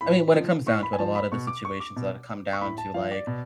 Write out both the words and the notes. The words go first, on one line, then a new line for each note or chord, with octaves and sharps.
I mean, when it comes down to it, a lot of the situations that come down to, like,
A2 B5
F3
A2 C#6
B5
G#5
F3 A5
B5
B2 C#6
D6
C#6
D6
B2
C#6
A2 B5
A5
F3 F5
D5
B2